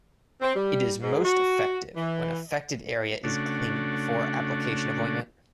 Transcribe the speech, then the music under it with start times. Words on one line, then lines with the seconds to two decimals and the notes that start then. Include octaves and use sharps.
It is most effective when affected area is cleaned before application of ointment.
0.42 C4
0.56 G3
1.02 G#2
1.24 F#4
1.96 E3
3.24 C#3 A3 D4 F#4